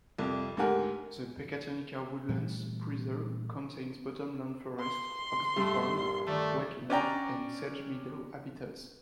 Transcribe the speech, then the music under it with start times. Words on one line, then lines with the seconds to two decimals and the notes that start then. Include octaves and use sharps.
The Pecatonica Woodlands Preserve contains bottomland forest, oxbow pond, wetland, and sedge meadow habitats.
0.18 C2 F2
0.57 D2 G#2 G4 A#4 F#5 G#5
2.29 A#2 E3 G3 A3
4.80 C6
5.56 G2 A3
5.92 A#1
6.27 D#3 A3 D5
6.90 C#4 D4 D5 G5 A#5